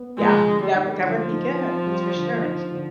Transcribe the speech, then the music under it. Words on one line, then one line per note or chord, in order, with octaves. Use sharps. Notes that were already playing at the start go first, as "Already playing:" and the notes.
Yeah. That would that would be good. That's for sure.
Already playing: B3
F3 G#3
D3
G3
D#4
D3 F3
D#4
C4
G3
D3
D#4
D3